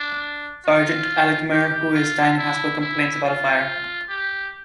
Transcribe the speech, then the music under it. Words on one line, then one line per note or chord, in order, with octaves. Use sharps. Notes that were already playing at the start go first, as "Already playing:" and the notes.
Sergeant Altameyer, who is dying in a hospital, complains about a fire.
Already playing: D4
F4
G4
F4
E4
E4
F4
G4